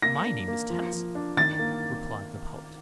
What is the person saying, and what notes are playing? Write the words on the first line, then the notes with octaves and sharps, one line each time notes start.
"My name is Tennyson," replied the poet.
A#3 A#6
D4
A#3
F3
F3
D4
D#3 A6
A#3